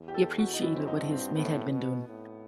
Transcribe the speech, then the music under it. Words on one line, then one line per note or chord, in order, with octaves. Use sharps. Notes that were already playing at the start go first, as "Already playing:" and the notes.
He appreciated what his mate had been doing.
Already playing: E2
G4
A4
F#4
D#4
F#2 E4
C4
D#4
G2
C4
A2 B3
B2
A2